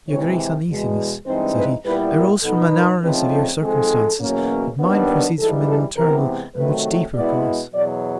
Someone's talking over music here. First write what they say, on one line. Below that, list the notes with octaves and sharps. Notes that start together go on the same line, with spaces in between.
Your greatest Uneasiness, said he, arose from the Narrowness of your Circumstances; but mine proceeds from an internal, and much deeper Cause.
C3 E3 G#3 C#5
E2 B2 G#3
G2 E3 G#3 C4 D#4 C5
B4
A#2 G3 B3 E4 B4
A#4
B2 F#3 B3 D#4 A4
A#4
C#3 F3 A3 C4 D#4 B4
A4
G#2 F3 G#3 C4 A4
E2 B2 F#3 A#3 C#4
D#2 D#3 G3 B3 D4
G#2 E3 G3 A4
A4
C3 E3 G#3 B3 A#4
C3 D#3 F#3 A3 B4
B2 G#3 B3 E4 D5
E2 B2 F#3 D5